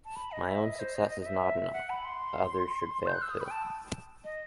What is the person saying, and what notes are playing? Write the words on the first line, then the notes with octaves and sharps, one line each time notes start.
My own success is not enough, other should fail too.
A5
B5
D#5
E5
D#5
C5
D#5
D#5
D#5
E5
F#5
B5
C6
G6
F#6
E6
D#6
B5
G5
A5
D#5